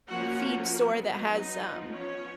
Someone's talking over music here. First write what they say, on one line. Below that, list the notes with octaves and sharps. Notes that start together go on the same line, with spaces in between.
a feed store that has, um,
F3 A#3 C#4 F#4 F#5
F#3 B3
D#4 D#5
F3 B3
C#4 C#5